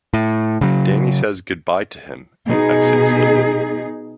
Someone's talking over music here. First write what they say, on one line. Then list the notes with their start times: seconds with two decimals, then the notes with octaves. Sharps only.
Danny says goodbye to him and exits the movie.
0.14 A2
0.61 C#3 F#3
2.48 B2 D#4 G#4